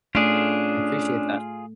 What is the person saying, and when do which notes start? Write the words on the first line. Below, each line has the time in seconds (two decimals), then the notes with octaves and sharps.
I appreciate that.
0.15 A3 C#4 D4 F4 G#4